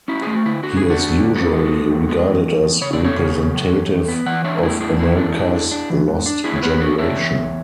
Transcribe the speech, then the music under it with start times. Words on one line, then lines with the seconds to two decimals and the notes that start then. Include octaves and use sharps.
He is usually regarded as representative of America's Lost Generation.
0.08 C#4 E4
0.22 A3 G#4
0.34 F#4
0.45 D3 E4
0.63 D3 F#4
0.76 D3 G#4
0.90 D4 F#4
0.99 D3
1.17 D3
1.35 E2 F#4 A4
1.54 G#3
1.72 G#3
1.90 E2
2.09 G#3
2.27 E2
2.45 E2
2.63 E2
2.81 C#3 C#5
2.93 D5
2.99 F#3
3.04 A4 C#5
3.18 C#3
3.35 C#3
3.54 F#3
3.72 E2
3.91 E2
4.08 B3
4.26 E3 D5 F#5
4.44 D4 C#5 E5
4.62 A2 E4 G#4
4.80 D4 E4 G#4
4.99 E3 E4 G#4
5.17 D4
5.36 D4
5.54 D4
5.71 D4
5.90 E3
6.08 G#2
6.26 D4
6.44 D4 E4 G#4
6.56 C#5
6.63 B3 G#4 B4
6.80 D4 F#4 A4
6.98 D4 C#5 E5
7.18 E2
7.35 E2